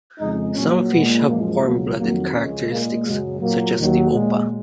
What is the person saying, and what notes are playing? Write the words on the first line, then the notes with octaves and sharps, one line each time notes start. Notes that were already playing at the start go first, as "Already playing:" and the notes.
Some fish have warm-blooded characteristics, such as the opah.
F2 C#3 G#3 D#4
A#2 F#3 C#4
A#2 G#3 B3
F#2 F3 G#3 A#3
C#2 B2 F#3 A#3
F2 D#3 F#3 A#3
C#2 C#3 G#3 C#4
A#2 G#3 A#3
F#2 C#3 F#3 G#3
A#2 F#3 A#3
D#2 D#3 F#3
A#2 G#3